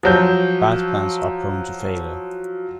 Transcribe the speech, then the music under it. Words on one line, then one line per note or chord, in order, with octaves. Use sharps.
Bad plans are prone to failure.
F3 F#3 G6